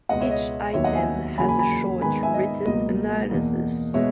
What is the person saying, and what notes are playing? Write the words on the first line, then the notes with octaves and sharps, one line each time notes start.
Each item has a short written analysis.
C#2 B2 G#3 B3 D#5 F#5
C#5 E5
D#5
D#2 D#3 F#3 B3 C#5 E5
D#5 F#5
E5 G#5
E2 C#3 F#3 A#3 G#5 B5
G#5 B5
G#5 B5
G#2 D#3 G#3 B3 G#5 B5
E5 G#5
D#5
C#2 B2 F#3 A#3 D#5
E2 B2 A#3
B2 G#3 B3 C#5 E5